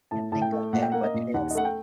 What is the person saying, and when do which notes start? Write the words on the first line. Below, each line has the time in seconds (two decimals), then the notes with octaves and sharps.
Can't think of it, what it is.
0.11 A2 A5
0.32 A2 A5
0.42 G5
0.52 A3
0.73 A#2 F#5
0.82 G5
0.92 A#3 F#5
1.04 D#5
1.14 A#2
1.34 D#2 F#5
1.51 D#5
1.55 A3 F#5
1.65 G5